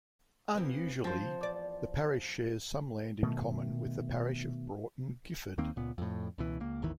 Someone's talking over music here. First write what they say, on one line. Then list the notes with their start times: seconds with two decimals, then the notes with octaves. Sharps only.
Unusually, the parish shares some land in common with the parish of Broughton Gifford.
0.55 E3 F3 C4
1.04 F3 C4 C5
1.41 E2 D5
3.23 B2 D#3 A3
5.58 D#2 D#3 A#3 C4
5.76 C#2 A#2 B3
5.98 F2 A2
6.38 C#2 B2 E3
6.60 C#2 A#3
6.82 G#1 D#2 D#3 E3